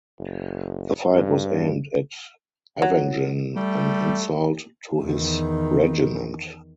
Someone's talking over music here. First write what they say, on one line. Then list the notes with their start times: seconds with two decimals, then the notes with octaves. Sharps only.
The fight was aimed at avenging an insult to his regiment.
0.19 F#1
1.14 G2
2.82 F#3
3.56 G3 A3
5.02 E2 D#3